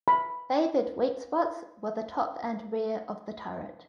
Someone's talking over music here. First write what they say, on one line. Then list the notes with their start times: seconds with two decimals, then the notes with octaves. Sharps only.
Favored weak spots were the top and rear of the turret.
0.08 B5